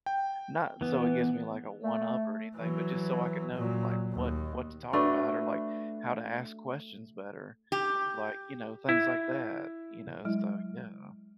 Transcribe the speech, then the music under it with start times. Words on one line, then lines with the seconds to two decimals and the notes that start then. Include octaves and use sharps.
not so it gives me, like, a one up or anything, but just so I could know, like, what what to talk about or, like, how to ask questions better or, like, you know, things like that, you know? So yeah.
0.06 G5
0.81 E3 B3
1.82 A3
2.56 E3 F#3
3.54 A#2 F#3
4.12 D#2
4.93 A3 D4 F#4 B4
7.72 G4
8.89 E4
10.25 F#3 G#3 E4